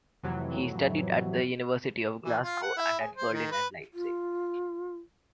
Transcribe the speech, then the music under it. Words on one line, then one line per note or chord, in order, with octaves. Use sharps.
He studied at the University of Glasgow and at Berlin and Leipzig.
F2 A2 C3 E3 F#3
E3
F4
F#5
E4
G#4
C5
D#3
B4
F4